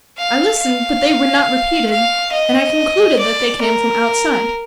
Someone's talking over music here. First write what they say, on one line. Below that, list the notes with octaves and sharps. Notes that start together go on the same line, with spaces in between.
I listened, but they were not repeated, and I concluded that they came from outside.
F5
F5
F5
D#5
D5
A#4